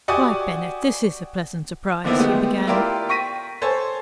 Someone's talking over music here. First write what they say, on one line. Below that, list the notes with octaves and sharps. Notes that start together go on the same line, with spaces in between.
"Why, Bennett, this is a pleasant surprise," he began.
F#4 G4 D5 F#5 G#5 D#6
D3 D#3 F3 A#3 B3 E4
G#3 A3 B3 G4
E4 F4 G4 A#4 D5 C6
G5 C#6 A#6 B6 D#7
A4 C5 C#5 G#5 A5